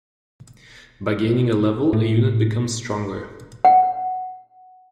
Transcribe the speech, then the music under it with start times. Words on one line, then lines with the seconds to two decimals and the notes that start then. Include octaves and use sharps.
By gaining a level a unit becomes stronger.
1.93 A2
3.65 F#5